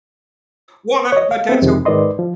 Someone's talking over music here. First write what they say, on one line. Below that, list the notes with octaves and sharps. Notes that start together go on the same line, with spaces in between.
Well, that but that's o
C#5 D#5
F5
B3 C4
F2 C3 D#3
G#2 D#3 B4 D5 D#5 C6
F3